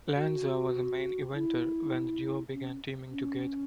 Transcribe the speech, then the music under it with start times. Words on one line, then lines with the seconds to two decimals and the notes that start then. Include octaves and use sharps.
Lanza was a main-eventer when the duo began teaming together.
0.16 F#4
1.35 E4
2.53 C#4
3.11 C#4